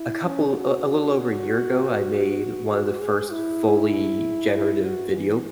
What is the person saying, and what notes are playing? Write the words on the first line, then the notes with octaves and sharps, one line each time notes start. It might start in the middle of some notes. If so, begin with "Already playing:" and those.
a couple, uh, a little over a year ago, I made one of the first fully generative video
Already playing: E4
C#4
F#4
F#4
F#4
G#4
E4
E4
F#4
E3